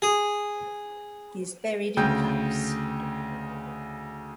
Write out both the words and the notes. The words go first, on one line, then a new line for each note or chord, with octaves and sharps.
He is buried in Paris.
G#4
D2 C#3 G5 G6